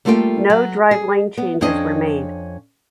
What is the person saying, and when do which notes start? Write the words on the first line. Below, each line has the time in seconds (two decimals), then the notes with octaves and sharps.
No driveline changes were made.
0.05 G3 A3 A#3 F4 A4 G5
0.50 F#3
0.91 G#4
1.38 B3
1.61 F2 C#4 D4 D#5